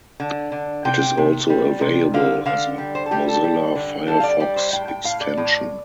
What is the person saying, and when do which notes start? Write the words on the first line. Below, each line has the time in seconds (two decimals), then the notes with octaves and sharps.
It is also available as a Mozilla Firefox extension.
0.20 D3
0.52 D3
0.85 C3 G5
1.17 C3
1.49 G3
1.81 C3
2.14 D3 F5
2.46 D3 F5
2.78 G3
2.95 C5
3.06 A4
3.11 G3 G4
3.28 A4
3.43 G3
3.75 D3
4.07 G3 A4
4.20 F5
4.23 D5
4.40 G3 D5
4.56 C5
4.73 A2 G5
4.88 G5
5.04 A2 F5
5.21 D5
5.37 A2